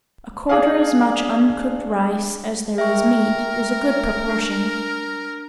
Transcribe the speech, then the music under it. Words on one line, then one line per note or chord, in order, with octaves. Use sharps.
A quarter as much uncooked rice as there is meat is a good proportion.
D4 G#4 F5
A#4 E5 G5 C#6
D4